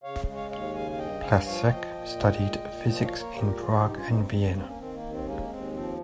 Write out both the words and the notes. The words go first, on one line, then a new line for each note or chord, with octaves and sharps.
Placzek studied physics in Prague and Vienna.
C#3 C#5 F5
G#3
C#5 F5
D#2 C#5 F5
C#3 F5 G#5
F5
G2 D#5 G5
G2 F5 G#5
F3 C#5 F5
F3 D#5 G5
A#2
G#3
A#2
A#2
F3 D#5 G5
C#5 F5
A#3
A#4 C#5
A#2 G4 A#4
F3 F4 G#4
G2 D#4 G4
C#4 F4
G2 C4 D#4
C4
G2 C4
C4
A#3 C4
A#3 C#4
D#3 C4
A#3
D#2
C4
G#3 A#3 C#4
D#2 C4
F3 C4